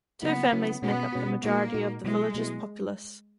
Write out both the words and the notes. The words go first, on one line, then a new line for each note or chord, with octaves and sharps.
Two families make up the majority of the villages populace.
C#3 F#3 A#3 B3 C#4 E4
C#3 F#3 A#3 C#4 E4
B2 G#3 B3 C#4 F#4
B2 G#3 C#4 F#4
A#2 G#3 A#3 D#4 F#4
A#2 G#3 D#4 F#4
B2 F#3 G#3 B3 E4
B2 F#3 B3 E4